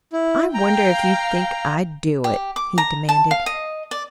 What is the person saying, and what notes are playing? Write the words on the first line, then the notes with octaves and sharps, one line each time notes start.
"I wonder if you think I'd do it!" he demanded.
E4
F5 G5 A#5
G4
D6
A#5
A5
F5
D#5
D5